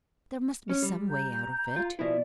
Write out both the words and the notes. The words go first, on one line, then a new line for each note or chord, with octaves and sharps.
There must be some way out of it.
C#4
G3
A#5 G6
F4
B2 F3 E4 D5